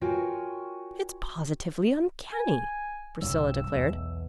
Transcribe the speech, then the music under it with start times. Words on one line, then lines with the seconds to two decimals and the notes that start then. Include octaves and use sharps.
"It's positively uncanny!" Priscilla declared.
0.01 F4 F#4 A#4 C#5 G5 G#5
2.32 G#5
3.22 C2 G2 F#3 E6
3.75 B1 E2